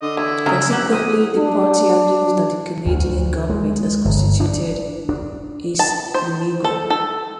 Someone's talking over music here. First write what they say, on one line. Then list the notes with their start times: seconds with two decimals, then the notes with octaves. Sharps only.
Consequently, the party argues that the Canadian government, as constituted, is illegal.
0.02 D3 D#5
0.17 E3 E4
0.46 C#3 G3 G#3 C4 A#5
0.70 G1 A#3 G4 F#5
0.93 E2 C5 D#6
1.38 D4
2.86 D2
3.50 G#3
4.05 G1
4.40 D4
5.09 D4
5.79 A5
6.14 C5
6.64 A4
6.90 A4